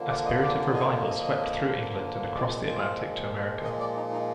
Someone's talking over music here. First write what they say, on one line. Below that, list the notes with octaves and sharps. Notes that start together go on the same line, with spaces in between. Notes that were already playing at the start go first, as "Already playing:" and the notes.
A spirit of revival swept through England and across the Atlantic to America.
Already playing: D3 F3 A#3
D5
D#5
D5
D#5
D#5
D#5
A#2 F3 G#3 D5
C5
D#5
D5
D#4
D#4